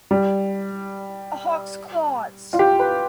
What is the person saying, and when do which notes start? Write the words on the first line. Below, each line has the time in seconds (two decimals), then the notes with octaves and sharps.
A hawk's claws.
0.11 G3
2.53 F4
2.59 G4
2.80 B4